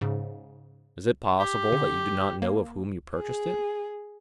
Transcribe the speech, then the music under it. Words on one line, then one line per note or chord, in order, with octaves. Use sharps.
"Is it possible that you do not know of whom you purchased it?"
G#2 C#3
G4
D3
A#3
G#4